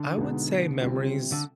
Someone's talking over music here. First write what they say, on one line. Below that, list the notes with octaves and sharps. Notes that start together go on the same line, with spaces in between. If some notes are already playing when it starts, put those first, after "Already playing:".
I would say memories
Already playing: D3
B2 G#3 B3 D#4
C3 G3 C4 F4
D3